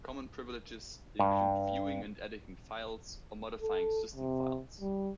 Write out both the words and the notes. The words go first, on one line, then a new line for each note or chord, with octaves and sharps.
Common privileges include viewing and editing files, or modifying system files.
G2
A4
C3
G3